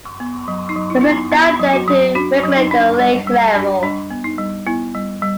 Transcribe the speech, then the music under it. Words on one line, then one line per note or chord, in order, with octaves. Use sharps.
There is a dam there to regulate the lake level.
B3
F#3
D#4
F#3
E4
B3 E4
D#4
B3 E4
F#3
F#4
F#3
D4 F#4
F#3
D#4
D4
G3
G3
D4
G3 D4
B3
D#4
G3
B3 E4
G3
G3